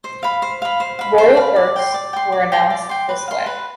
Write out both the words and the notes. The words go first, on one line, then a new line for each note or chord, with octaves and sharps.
Royal births were announced this way.
C5
F5 B5
C5
F5 B5
C5
F5 B5
C5
F5 B5
D5
G5 C6
D5
G5 C6
D5
G5 C6
D5
G5 C6
B4
F5 C6
B4